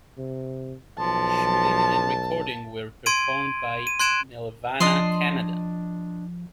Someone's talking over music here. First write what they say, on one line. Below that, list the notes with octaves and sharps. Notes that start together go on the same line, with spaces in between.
Shooting and recording were performed by Nelvana Canada.
C3
B1 F3 A5
C6 G#6 D7 D#7
D#7
C6 F#6 G#6 D7 E7
F3 D4 D#5 C6